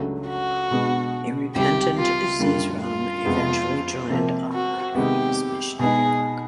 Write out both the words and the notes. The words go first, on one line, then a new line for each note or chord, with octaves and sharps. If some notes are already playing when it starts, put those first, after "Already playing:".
A repentant Zeezrom eventually joined Alma in his missionary work.
Already playing: C#2 C#3 F#3 A3 D4
F#4
B2 G#3 B3 D4
C#2 C3 D#3 G3 G4
F4
F#2 D3 G3 A#3 D4 F4
F4
F2 C3 F3 G#3 B3
C3 F3 A#3
F#4
C3 D#3 G#3 B3 G4
B2 G#3 B3 D#4 G#4